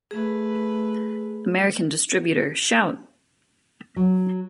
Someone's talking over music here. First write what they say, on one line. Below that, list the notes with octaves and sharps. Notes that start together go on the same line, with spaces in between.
American distributor Shout!
A3 G#4 B4
F#3